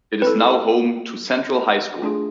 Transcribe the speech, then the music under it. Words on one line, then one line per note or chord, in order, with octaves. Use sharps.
It is now home to Central High School.
C4 E4 A4 B4
A3 D4 F4 G#4